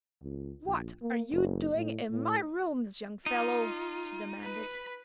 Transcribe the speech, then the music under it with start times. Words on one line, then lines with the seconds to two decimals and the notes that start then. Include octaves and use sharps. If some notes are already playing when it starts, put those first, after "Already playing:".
"What are you doing in my rooms, young fellow?" she demanded.
0.23 C#2
0.66 A#1
1.02 A#3
1.31 F#1
1.75 A2
2.11 A2
3.26 D#4 F4
4.42 B4 B5